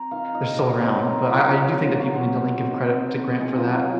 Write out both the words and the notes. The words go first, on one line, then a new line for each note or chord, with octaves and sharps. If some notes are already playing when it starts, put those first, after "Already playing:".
they're still around, but I I do think that people need to, like, give credit to Grant for that,
Already playing: C4 A#5
D#3 F5
D#3 D#5
C4 C#5
C4 C5
F#3 A#4
F#3 F4
F#3
F4
A#2
F#3 F#4
C4
C4
D#3
C4
C4
D#3 G#4
F4
F#3
F4